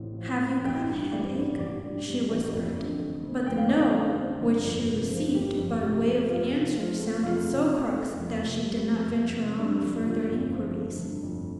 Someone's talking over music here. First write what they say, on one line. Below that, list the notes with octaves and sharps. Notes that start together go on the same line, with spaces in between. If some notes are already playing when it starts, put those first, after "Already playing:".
"Have you got a headache?" she whispered; but the "No" which she received by way of answer sounded so cross that she did not venture on further inquiries.
Already playing: A1 A2 C4
F3
C4
A1 G5
G2
G3 D5
A1
A1 D5
G2
G3
A1
F2
D3
A3
C4
F2 G5
F5
D3 D5
F5
A3
C4
G1
F2
C3
F3
G1 G4
F2
C3 G4
F3
F2 F4
C3
F3 F4
A3
F2 F4
C3
F3
A3
F2
C3
G3
F2
F2
C3
G3 D4
F2
G1 F4
F2
F3
A3
G1
F2